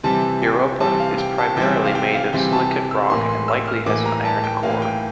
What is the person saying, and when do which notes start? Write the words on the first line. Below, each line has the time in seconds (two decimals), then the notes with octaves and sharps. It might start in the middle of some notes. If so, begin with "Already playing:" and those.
Europa is primarily made of silicate rock and likely has an iron core.
0.03 C3 E3 G3 C4 A5
0.42 G5
0.80 C3 E3 G3 C4 A5
1.00 F5
1.18 G5
1.38 A5
1.57 C3 E3 G3 C4 G5
1.85 F5
1.95 G5
2.14 F5
2.33 C3 E3 G3 C4 G5
2.52 A5
2.91 E6
3.10 A2 E3 A#3 C6
3.29 C6
3.48 E6
3.67 F6
3.86 A2 E3 A#3 D6
4.05 A#5
4.25 A5
4.44 G5
4.63 A2 E3 A#3 F5
4.82 G5